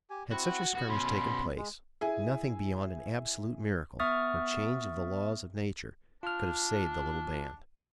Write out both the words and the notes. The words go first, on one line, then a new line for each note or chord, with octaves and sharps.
Had such a skirmish taken place, nothing beyond an absolute miracle, or change of the laws of nature, could have saved the little band.
G4 G#5
C4 E4 F#4
B3 F#4 F#5
B2 C#4 B5 C6
G#3
E4 G#4 G#5
B3 E5 C#6 D#6 F6 A6
D4 F4 F6